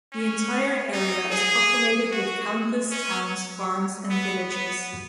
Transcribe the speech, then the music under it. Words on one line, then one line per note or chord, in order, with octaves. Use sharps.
The entire area is populated with countless towns, farms, and villages.
C#4
D#4
G#4
F#4
C#4
B3
B3